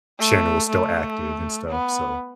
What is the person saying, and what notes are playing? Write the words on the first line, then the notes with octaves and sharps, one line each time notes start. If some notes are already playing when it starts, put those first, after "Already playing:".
channel was still active and stuff. So,
A3
A3
B3